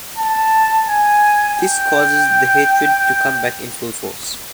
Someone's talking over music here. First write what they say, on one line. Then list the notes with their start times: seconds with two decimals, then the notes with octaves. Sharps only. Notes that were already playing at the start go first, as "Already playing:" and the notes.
This causes the hatred to come back in full force.
0.18 A5
0.88 G#5
1.57 G5